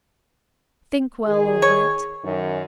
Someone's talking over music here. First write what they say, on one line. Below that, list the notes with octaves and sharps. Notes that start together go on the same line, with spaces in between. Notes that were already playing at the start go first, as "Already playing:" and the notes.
Think well over it.
D#3 G#4
C#5
F#2 D#3